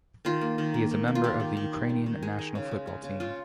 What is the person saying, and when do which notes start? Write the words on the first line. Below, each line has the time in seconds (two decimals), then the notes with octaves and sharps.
He is a member of the Ukrainian national football team.
0.25 D#3 F4
0.41 A#3
0.58 D#3
0.74 A#3
0.91 D#3
1.08 A#3
1.15 F4
1.24 D#3 G4
1.40 D#3
1.57 D#3
1.73 G3
1.89 G3
2.06 D#3
2.23 G#3 G#4
2.39 G#3
2.55 C#3
2.71 G#3
2.87 G#3
3.04 C#3
3.20 C#3 F4